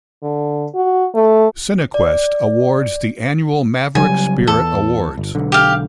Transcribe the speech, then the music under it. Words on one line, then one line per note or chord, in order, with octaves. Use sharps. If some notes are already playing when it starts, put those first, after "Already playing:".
Cinequest awards the annual Maverick Spirit Awards.
D3
F#4
A3
D5
C#3 F#3 G3 G#5
E2 A4
G1
B1 D3
G4 F5